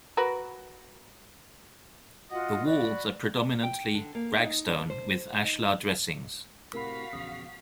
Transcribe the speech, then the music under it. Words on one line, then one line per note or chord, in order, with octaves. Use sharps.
The walls are predominantly rag-stone with ashlar dressings.
F#4 A#4 B4
F4 F#4 D#5 F#5
F#4 D5 B5
G5
D3
A#3
D#4
G2
C5
D#4
A2 C3 F#4 A#4 F5 B5 B6
A#1 E2 C#3 D#6